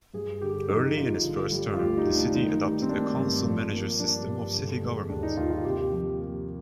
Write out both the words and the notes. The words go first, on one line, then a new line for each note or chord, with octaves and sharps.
Early in his first term, the city adopted a council-manager system of city government.
G2 G#4
D3 G4
F3 D#4
G1 F4
D3
G3
F4
D2 G4
D#4
D2
D4
D#3 D#4
G3
C4
A#3 D4
G2
F3
A#3
G2 D4
G2
D3
G#3
D#2 D4
D#4
D#2 F4
F4
C3 G4
F3
A#3